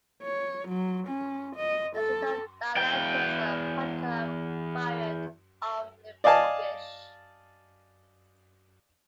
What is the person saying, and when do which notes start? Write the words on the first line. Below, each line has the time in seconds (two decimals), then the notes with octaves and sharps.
The Sittard dialect is a particular variant of Limburgish.
0.23 C#5
0.68 F#3
1.07 C#4
1.56 D#5
1.96 A4
2.76 E2 G5
6.24 D5 D#5 F5 G#5 A5